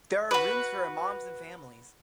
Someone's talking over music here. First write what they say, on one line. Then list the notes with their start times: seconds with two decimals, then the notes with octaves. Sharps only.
There are rooms for imams and families.
0.31 F#4 B4